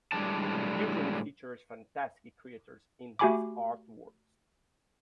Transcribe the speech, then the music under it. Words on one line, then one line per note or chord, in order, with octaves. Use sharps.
He usually features fantastic creatures in his artworks.
A2 G3 G#3 D4 D5 A5
A3 F#4 G4 G#5 B5 D6